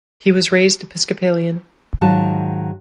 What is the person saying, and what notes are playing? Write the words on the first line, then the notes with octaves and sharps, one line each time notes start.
He was raised Episcopalian.
G#2 D#3 F#3 F4 F#4 A5